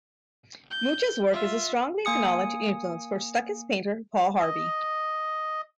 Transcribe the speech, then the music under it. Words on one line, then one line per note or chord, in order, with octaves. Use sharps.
Mucha's work is a strongly acknowledged influence for Stuckist painter Paul Harvey.
G6
F4 E5
A#3 G#5 D#6 C#7
D#5